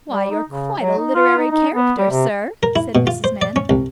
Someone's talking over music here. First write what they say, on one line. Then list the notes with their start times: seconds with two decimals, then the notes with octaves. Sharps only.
'Why, you're quite a literary character, sir!' said Mrs. Mann.
0.11 G3
0.31 D#4
0.49 C#3
0.80 F#3
0.98 D#4
1.15 F4
1.38 D#4
1.51 D#4
1.75 B3
1.98 G3
2.10 C3
2.63 A#4
2.76 E4
2.95 B2
3.07 F4
3.24 C5
3.42 D5
3.56 C#4
3.70 C2